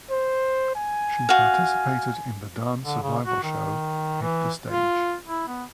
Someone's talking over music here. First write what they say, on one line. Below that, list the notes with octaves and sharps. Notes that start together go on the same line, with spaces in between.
She participated in the dance survival show "Hit the Stage".
C5
G#5
F#4 F5
D3
C#3
F#4
D#3
E3
F4
E4
B3